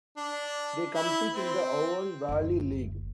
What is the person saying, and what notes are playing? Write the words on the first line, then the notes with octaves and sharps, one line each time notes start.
They compete in the Avon valley league.
D4
E4
C4
F#1 D2